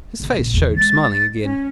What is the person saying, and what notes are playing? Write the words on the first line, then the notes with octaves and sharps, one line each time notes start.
His face showed smiling again.
G1 C2
A#1
E2 D#3
G#3 A6
C#4